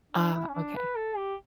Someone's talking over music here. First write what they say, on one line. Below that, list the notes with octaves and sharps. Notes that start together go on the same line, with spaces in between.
Ah, okay.
D4
E4
C#4
D4
B4
A4
G4